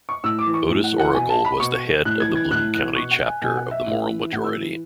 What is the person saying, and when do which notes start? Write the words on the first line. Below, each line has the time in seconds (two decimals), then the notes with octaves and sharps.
Otis Oracle was the head of the Bloom County chapter of the Moral Majority.
0.09 C#6
0.24 A2 E6
0.39 D6
0.46 E3
0.54 C#6
0.69 A2
0.84 F#5
0.92 E3
0.99 F#5
1.14 B2 G#5
1.30 A5
1.45 B5
1.60 B2 C#6
2.05 A2 F#6
2.20 G#6
2.28 E3
2.36 G#6
2.51 A2 F#6
2.73 E3 F#6
2.96 B2 C#6
3.11 F#5
3.27 G#5
3.42 B2 G#5
3.57 F#5
3.71 E5
3.87 A2 E5
4.09 E3
4.32 A2 F#5
4.44 E6
4.55 E3